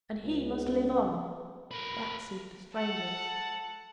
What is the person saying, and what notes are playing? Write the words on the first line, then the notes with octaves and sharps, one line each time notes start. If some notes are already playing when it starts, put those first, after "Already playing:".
And he must live on; that seemed the strangest.
C#2
A#4 B4
A4 F#5